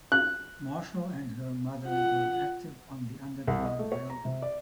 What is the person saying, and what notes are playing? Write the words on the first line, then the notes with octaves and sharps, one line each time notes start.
Marshall and her mother were active on the Underground Railroad.
F#6
F4 F#5
C2
D#5
A3
C#5
A#5
C3
D5